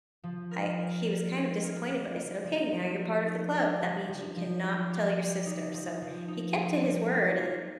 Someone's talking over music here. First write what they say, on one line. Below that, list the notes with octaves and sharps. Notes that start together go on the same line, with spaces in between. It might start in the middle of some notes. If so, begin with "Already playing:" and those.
I he was, kind of disappointed, but I said, "Okay, now you're part of the club. That means you cannot tell your sister," so he kept to his word, and,
F3
A#4
A#4
A#4
D#4
A#4
A#3
A#3
F3
F3
A#4
D#4
G4
F3
F3
F3
G4
G4
G4
D#4
F3
F3
D#4
C4
G3
A#3
A#3